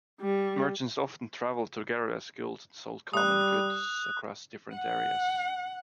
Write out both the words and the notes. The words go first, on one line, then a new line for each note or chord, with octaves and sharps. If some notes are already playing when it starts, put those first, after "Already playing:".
Merchants often travelled together as guilds and sold common goods across different areas.
G3
G3 D#6 F#6
F#5